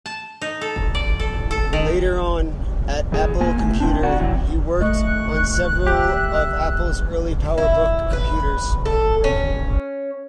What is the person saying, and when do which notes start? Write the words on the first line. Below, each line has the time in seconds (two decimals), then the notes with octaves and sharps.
Later on at Apple Computer, he worked on several of Apple's early PowerBook Computers.
0.06 A5
0.42 D#4
0.61 A4
0.95 D5
1.19 A4
1.51 A4
1.73 D#3
3.12 E3 G#4
3.41 A#3 G#5
3.60 A2
3.80 A#2 C4 D4
4.03 F#4 D5 F#5
4.19 C3 E3 F#3
4.81 A3 D#5 C#6 F#6
5.87 G4 E5
7.58 E4
8.13 B4
8.85 A4
9.24 C#4